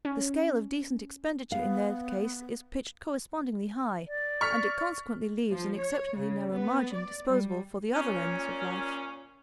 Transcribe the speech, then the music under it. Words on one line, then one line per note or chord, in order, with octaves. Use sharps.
The scale of decent expenditure in their case is pitched correspondingly high, and it consequently leaves an exceptionally narrow margin disposable for the other ends of life.
C#4
B3 F5
D5
C#6 F6 B6
F3
C#5
C#3
B3
D5
G3
A#2 C#4